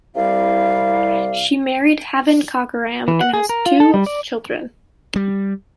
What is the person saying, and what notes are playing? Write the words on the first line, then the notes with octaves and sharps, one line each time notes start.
She married Haven Cockerham and has two children.
C2 C3 G3 E4 D5 F5
E3
F#5
G#4
A#4
F4
A4
G3
D5
G3